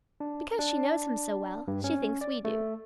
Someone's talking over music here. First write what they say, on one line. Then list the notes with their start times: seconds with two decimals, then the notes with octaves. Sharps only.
"Because she knows him so well, she thinks we do."
0.20 D4
0.59 D4
1.68 G2
1.84 C#4
2.21 D5
2.45 A3